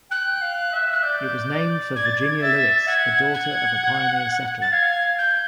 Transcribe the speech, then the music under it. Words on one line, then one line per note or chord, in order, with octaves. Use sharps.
It was named for Virginia Lewis, the daughter of a pioneer settler.
G5 F#6
F5
E5
F#6
D5 G6
D5
D5 G#6
A6
G#6
E5 A6
F#5 G#6
G#6
A6
F5 G#6
G6